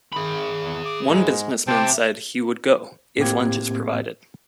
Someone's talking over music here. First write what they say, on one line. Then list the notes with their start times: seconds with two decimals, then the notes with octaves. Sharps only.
One businessman said he would go...if lunch is provided.
0.13 D#3 G#4 B5
0.62 E2
0.85 D6
1.09 G#2 G#3
1.67 C3 C5 G5 A5
3.18 A2 A#3 C4 G4 G#6